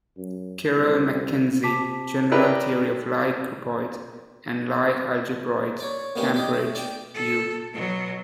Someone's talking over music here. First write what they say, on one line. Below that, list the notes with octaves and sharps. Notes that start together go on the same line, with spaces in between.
Kirill Mackenzie, "General Theory of Lie Groupoids and Lie Algebroids", Cambridge U.
F#2
C2
C3 A5 D6 B6
D4 E4 G4 A#4 B4
C#5 D5
A#3 B3 C#4 D4 G4
G4 D5 D#5
A3
D5 G5
A4
B2 F#3